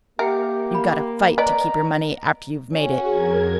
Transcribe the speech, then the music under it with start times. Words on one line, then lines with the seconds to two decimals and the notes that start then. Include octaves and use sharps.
You got to FIGHT to keep your money after you've made it.
0.19 A#3 G4 A#4 E5 F#5 G5
0.75 B5
1.38 B4 D5 D#5 A#5
2.73 C#4 F#4
3.05 F2 G#4 A#4 G#6